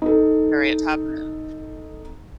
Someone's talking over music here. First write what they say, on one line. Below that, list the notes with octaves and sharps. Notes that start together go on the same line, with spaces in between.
Harriet Tubman.
D#4 A4